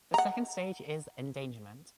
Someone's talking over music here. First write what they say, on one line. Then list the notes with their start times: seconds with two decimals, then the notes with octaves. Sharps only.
The second stage is "endangerment".
0.14 F#5 A#5